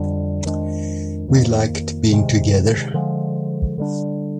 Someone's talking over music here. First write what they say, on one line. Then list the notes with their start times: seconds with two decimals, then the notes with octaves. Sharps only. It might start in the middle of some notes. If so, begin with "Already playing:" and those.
We liked being together.
Already playing: F2 D3 G3 D4
0.45 F2 D#3 G#3 D4
1.28 F2 D#3 A#3
2.11 C3 D#3 G#3
2.94 D3 F3 G#3
3.78 D3 G3 D4